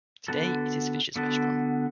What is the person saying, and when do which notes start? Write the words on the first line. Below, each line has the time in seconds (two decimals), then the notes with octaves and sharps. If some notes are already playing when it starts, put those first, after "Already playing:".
Today it is Fischer's Restaurant.
0.28 D3 B3 F#4 A4
1.16 D3 B3 F#4 A4